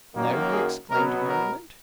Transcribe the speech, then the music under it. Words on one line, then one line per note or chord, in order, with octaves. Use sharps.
"No?" he exclaimed, in wonderment.
F#2 D#3 F#3 A#3
G#4
B2 F#3 B3 A#4
A#4